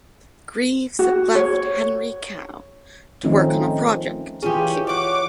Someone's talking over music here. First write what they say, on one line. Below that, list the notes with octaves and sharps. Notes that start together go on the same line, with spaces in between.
Greaves left Henry Cow to work on a project, Kew.
F#4
C#5
D#3 F3 A3 C4 C#4 D#4
E3 C#4 F4 G4 G#4
C#5 F#5 D6